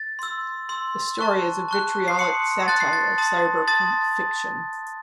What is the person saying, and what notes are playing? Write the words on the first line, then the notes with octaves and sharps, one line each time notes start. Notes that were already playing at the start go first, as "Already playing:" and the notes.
The story is a vitriolic satire of cyberpunk fiction.
Already playing: A6
C6 E6
C6 E6
A5 C#6 F#6
A5 C#6 F#6
C7
A5 C6 D#6 F#6 C#7
A5 C6 D#6 F#6 A6
C7
A6
A5 C6 D#6
A5 C6 D#6 A6